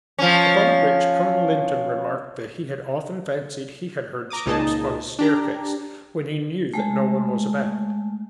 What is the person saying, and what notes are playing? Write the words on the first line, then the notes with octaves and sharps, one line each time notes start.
Upon which Colonel Lynton remarked that he had often fancied he had heard steps on his staircase, when he knew that no one was about.
F3 C#4
A#5 D6 D#6
C#2 A#2 D#4 G#4 D#5 A5
D4 G4 A#5
G#3 A3